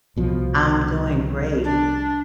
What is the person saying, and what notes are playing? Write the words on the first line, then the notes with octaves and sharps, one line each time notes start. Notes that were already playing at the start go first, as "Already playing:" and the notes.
I'm doing great.
C2 B2 F3
D4